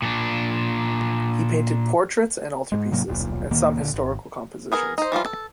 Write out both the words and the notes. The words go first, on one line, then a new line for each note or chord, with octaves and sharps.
He painted portraits and altarpieces, and some historical compositions.
A#2 D4
G#2 G#3
G#2 C3 F#3 A#3
D#1 B1 A#2
D2 A#2 D#3 A#3
D2 A#2 D3
G#1
B3 G#4 A#4
D#4 C5
E3 F3 G3 F4
A4